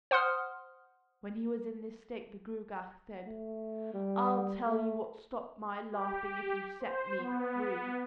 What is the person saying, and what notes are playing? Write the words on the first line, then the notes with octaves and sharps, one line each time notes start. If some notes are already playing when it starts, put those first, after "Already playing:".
When he was in this state the Gruagach said: "I'll tell you what stopped my laughing if you set me free."
C5 F#5 C6 D#6 F6
A3
G3
A3
G4
C5
B3